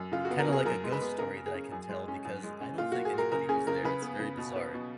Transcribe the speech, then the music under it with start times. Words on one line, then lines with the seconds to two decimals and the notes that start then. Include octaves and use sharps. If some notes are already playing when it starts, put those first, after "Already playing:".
kinda like a ghost story that I can tell, because I don't think anybody was there, it's very bizarre,
Already playing: F#2
0.12 C#3 F4
0.25 F#4
0.31 B3
0.39 A#4
0.47 C#3
0.52 G#4
0.65 F#2 A#4
0.84 G#3
0.92 B4
1.01 B3
1.18 C#3 A#4
1.36 A#3
1.46 G#4
1.55 C#4
1.72 F#2
1.89 G#3
2.08 C#4
2.25 F#2
2.44 G#3
2.61 C#4
2.78 A#2 F4
2.92 A#3 F#4
3.05 G#4
3.13 A#2 A#4
3.32 C#3 A#4
3.49 C#4 G#4
3.67 C#3 A#4
3.84 C#3 B4
4.02 B3
4.20 C#3
4.38 B2
4.56 B3
4.74 B2